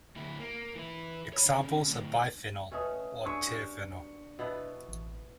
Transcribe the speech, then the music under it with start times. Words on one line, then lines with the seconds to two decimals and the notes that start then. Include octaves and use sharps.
Examples are biphenyl or terphenyl.
0.16 D2 E4
0.40 A#3
0.75 E3 E4
1.33 C#5 B5
1.45 D3 C#4
1.88 D2 A2
2.71 B2 A3 C#4 B4 D#6
3.26 D4 G#4 E5 C#6
3.47 F#4 G4 F5
4.39 B2 B3 E4
4.89 A1